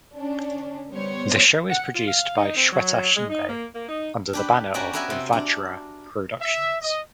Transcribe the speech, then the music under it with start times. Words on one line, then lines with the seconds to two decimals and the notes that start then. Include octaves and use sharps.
The show is produced by Shweta Shinde under the banner of Vajra Productions.
0.17 C#4 D4
0.90 G3 B3 C5 C#5
1.70 F#5
1.95 F4
2.08 F5
2.37 D#4
2.57 C4
2.73 F#3
3.16 G#3
3.30 D#4
3.49 A#3
3.75 A#3
3.89 D#4
4.33 D4 G4 B4
4.74 A#3 C#4 F#4 G4 D5
4.93 B3 A#4 B4 E5 G#5
5.10 C3
5.33 D4
6.41 E5
6.81 D#5